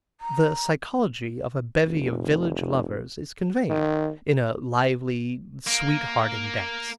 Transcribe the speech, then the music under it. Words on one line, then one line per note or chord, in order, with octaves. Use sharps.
The psychology of a bevy of village lovers is conveyed in a lively sweet-hearting dance.
A#5
F1
D#3
A#3